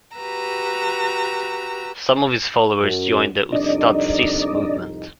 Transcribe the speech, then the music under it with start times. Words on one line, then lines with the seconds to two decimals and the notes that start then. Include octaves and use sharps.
Some of his followers joined the Ustadh Sis movement.
0.17 F#4 G4 B4 A#5 E6
2.82 F#2
3.52 C2 F2 D4 D#4 D5 D#5